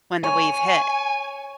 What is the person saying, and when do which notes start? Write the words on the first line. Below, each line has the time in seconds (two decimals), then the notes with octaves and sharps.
when the wave hit.
0.24 C#5 G#5